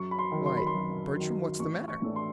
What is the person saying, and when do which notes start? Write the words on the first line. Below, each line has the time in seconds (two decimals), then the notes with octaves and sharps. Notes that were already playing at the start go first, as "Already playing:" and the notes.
"Why, Bertram, what's the matter?"
Already playing: F#2 C#6
0.11 B5
0.19 C6
0.32 D#3 F#3
0.46 C6
0.57 B5
0.67 C6
0.75 F#2
1.17 D#3 F#3
1.60 A1 C#6
1.88 C#6
2.02 A2 E3 A3 D4
2.16 C6